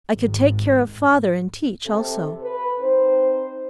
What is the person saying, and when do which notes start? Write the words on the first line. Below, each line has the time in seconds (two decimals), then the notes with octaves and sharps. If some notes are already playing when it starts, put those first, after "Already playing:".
I could take care of father and teach also.
0.13 G#1 G#2
1.86 C3 A4
2.43 B4
2.80 C4 D#4 C5